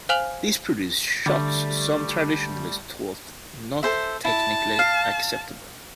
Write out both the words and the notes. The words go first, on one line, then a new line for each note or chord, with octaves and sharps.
This produced shots some traditionalists thought "not technically acceptable".
C5 F5 G#5 F6 F7 F#7
D3 G3 A3
A4 C5 E5
E4 A5
F5